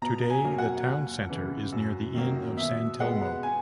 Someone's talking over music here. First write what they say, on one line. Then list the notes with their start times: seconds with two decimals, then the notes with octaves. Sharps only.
Today the town centre is near the Inn of San Telmo.
0.02 B2 A#5
0.30 G#5
0.44 F#3 A#3
0.58 F#5
0.87 D#2
1.29 C#3 E3
1.73 F#2
2.15 D#3 F#3 A#3
2.57 B2 E5
3.00 G#3 B3 F#5
3.43 G#5